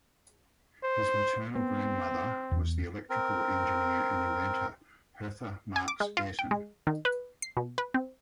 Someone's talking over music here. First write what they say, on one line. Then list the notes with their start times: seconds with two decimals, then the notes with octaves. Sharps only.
His maternal grandmother was the electrical engineer and inventor, Hertha Marks Ayrton.
0.83 C5
1.55 B3 C4
2.51 E2
3.10 C4 A#4
5.76 G#5
5.88 D6
6.00 G#3
6.17 F4
6.39 G5
6.51 G#3
6.87 D#3
7.05 B4
7.42 C7
7.57 B2
7.78 B4
7.94 C4